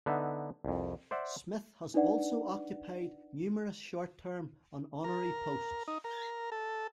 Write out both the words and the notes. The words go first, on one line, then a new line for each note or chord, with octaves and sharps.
Smith has also occupied numerous short-term and honorary posts.
D3 B3 D#4 E5
C2 F2
C5 D5 E5 F#5
D4 D#4 B4 D5 F#5
A#4
D#4
A#4
A4